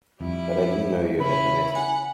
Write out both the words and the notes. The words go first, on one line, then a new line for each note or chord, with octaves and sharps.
But I didn't know you had ever met him.
F2 G3 E4
C#3 C#4 E4 B5
F#5 G#5